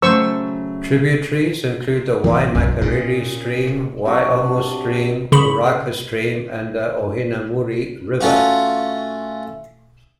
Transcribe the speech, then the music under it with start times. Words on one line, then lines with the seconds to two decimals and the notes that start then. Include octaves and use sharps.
Tributaries include the Waimakariri Stream, Waiomou Stream, Oraka Stream and the Ohinemuri River.
0.02 C#3 F#3 A3 C5 C#6 E6
2.24 A1 E3 F#3 A#3
2.55 B1 F#2 B2
2.81 A#2 C#3 F4
4.06 C3 F#3 D4 F#4
5.32 C#3 B5
8.21 A3 C#4 F4 F#4